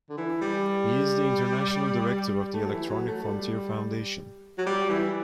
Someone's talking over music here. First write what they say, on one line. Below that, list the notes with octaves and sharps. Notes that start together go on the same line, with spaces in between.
He is the International Director of the Electronic Frontier Foundation.
D3
E3
G3
A3
F#3
E3
F#3
A3
G3
F#3
G3
E3